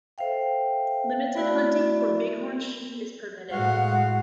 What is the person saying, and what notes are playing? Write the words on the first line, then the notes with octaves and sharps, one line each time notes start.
Limited hunting for bighorn sheep is permitted.
A4 C5 E5 F5 G5
A3 E4 F#4 D5 E5 B5
A2 G#3 F#4 F5 F#5